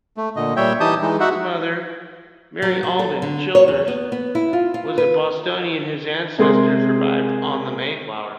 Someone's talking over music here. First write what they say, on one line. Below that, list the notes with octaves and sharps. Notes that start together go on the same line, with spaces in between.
His mother, Mary Alden Childers was a Bostonian whose ancestors arrived on the "Mayflower".
A3
A#2 D3 D#5
A#2 G3 C#5 E5 G5
E3 D#4 G4 A5 D#6 G6
E3 G#3 D#4
D#4 F#4 E5 F#5
F#3
F#3
A4
D3
C#5
E2
B3
B3
E4
F4
F4
B4
C3 G#3 G#4 A#4 C6